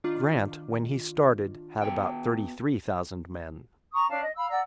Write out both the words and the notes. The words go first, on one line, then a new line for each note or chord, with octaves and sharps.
Grant, when he started, had about thirty-three thousand men.
D#3 D4 F4
B2 G5
A#5 C#6 D#6
C#4 D4 F5 A5
D#5
F5 B5 E6
D5 F#5 A#5 E6